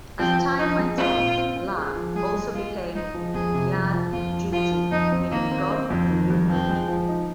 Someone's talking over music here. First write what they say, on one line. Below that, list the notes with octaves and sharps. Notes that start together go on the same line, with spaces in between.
As time went on, Iah also became Iah-Djuhty, meaning god of the new moon.
F3 C4
F3
F3 D#4
G#3
C4 F4
A#2
C4
C4
G#4
F3
G#3 G#4
G#3
G#3 F4
G#4
G#3 D#4
F3
F2 G#4
C3
F2
F3
F2 F4
F3
F3 F4
F3
F2 D#4
C4
D#3 A#3
C4
C4
F2
D#3
F2
F3 C4
G#3
F3
D#4